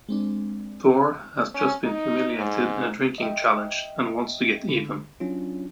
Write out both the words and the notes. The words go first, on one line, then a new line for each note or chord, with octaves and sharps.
Thor has just been humiliated in a drinking challenge and wants to get even.
G#3 C4 D4
C#4
D#4
G#2
D#5 E5 G5
D3
F#3 C#4 D4 F4